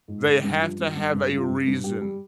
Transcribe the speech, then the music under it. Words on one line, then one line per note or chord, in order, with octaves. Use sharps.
They have to have a reason
G#2
G#2
G2
F3
G2
G2
G2
G2
F4
G2
G2
G3 G4
G3